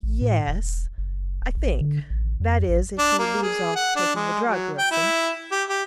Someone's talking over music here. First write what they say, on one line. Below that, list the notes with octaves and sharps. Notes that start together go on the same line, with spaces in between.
'Yes, I think--that is, if he leaves off taking the drug, Wilson.'
A1
A2
E1
F#1
D1
A1
D3
A1
F2
A1
D4
A#3
G#4
F#5
D4
G#3
F#3
G5
E4
G4
G4